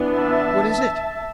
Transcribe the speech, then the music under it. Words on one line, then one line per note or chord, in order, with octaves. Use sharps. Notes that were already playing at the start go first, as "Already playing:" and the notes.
"What is it?"
Already playing: E3 B3 D4
E5 A5